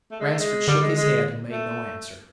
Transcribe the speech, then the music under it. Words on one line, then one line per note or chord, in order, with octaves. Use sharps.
Ransford shook his head and made no answer.
A3
G#3
A3
G#3
D3 G3
G#3
G#3
A3